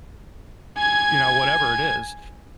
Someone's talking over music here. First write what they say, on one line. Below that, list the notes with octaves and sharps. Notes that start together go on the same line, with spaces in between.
you know, whatever it is.
G#5 G#6